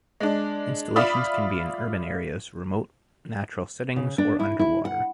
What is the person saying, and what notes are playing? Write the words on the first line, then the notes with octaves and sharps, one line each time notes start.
Installations can be in urban areas, remote natural settings, or underwater.
G#3 D4
F4 D5 E5 B5 D#6
C#3
D4
E4
E4
F#5